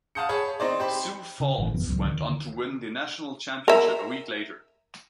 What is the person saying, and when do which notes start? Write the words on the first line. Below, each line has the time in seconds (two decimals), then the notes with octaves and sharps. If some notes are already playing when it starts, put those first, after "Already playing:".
Sioux Falls went on to win the National Championship a week later.
0.15 F5 F#5 A5 D#6 G6 C#7
0.29 G#4 C#5 A5 B5
0.60 C4 D#4 C5 D5
0.80 G4 C5 B5
1.40 C#3
1.58 G1 A2 E3
1.74 G1 F2 E3 B3
1.89 D1 C#2 F#3
2.05 D3 D#3
3.68 A#4 E5